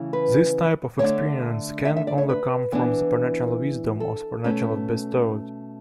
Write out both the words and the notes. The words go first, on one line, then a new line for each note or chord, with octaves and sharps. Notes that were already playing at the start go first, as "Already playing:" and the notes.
This type of experience can only come from supernatural wisdom, supernaturally bestowed.
Already playing: C#3 E3 A3
B4
D3 A3 D4 C#5
E5
E5
D5
C#5
B4
E3 B3 D4
A4
B2 A3 C#4